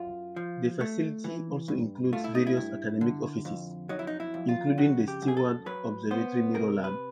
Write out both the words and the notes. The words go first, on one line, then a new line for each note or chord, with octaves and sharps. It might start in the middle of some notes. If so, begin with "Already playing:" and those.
The facility also includes various academic offices, including the Steward Observatory Mirror Lab.
Already playing: F#2 F4
F3
A3
E3
G2
A3 F4
E4
D#4
E4
G2
D3
F2
F#3 D#4
E4
D#4
E4
F2
F4
C#3 F#4
G4
F#2
G#4
A4
F#3 B4
B3 C5
C3 A#4
B4